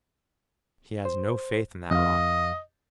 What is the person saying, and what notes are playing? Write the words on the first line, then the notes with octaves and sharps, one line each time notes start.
He has no faith in that rot.
C5
F2 D#5 F5